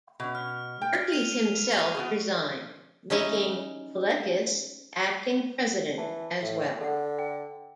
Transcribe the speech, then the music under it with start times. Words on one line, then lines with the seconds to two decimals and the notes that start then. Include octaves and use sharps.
Merkys himself resigned, making Paleckis acting president as well.
0.20 B2 C#4
0.35 F6
0.82 G5
1.12 D#7 F7 G7
1.95 B3 F#4 G#4
3.10 C#4 D#4 E4 C#5 G#5
5.98 E3 A5
6.41 A2
6.81 D3 A4 F#5
7.18 G5